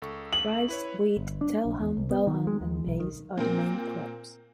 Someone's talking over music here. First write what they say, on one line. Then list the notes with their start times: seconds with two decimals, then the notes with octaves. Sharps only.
Rice, wheat, telhan, dalhan and maize are the main crops.
0.02 C#2 A4 C#6
0.33 F#7
0.69 E4 B4 C#5
1.17 G1
1.41 D4
1.66 A#1
1.80 E2
1.97 C2
2.11 B3
2.27 D#3
2.47 G#3
2.61 D#2
2.87 B1
3.00 D#3
3.37 A#2 A#3 C4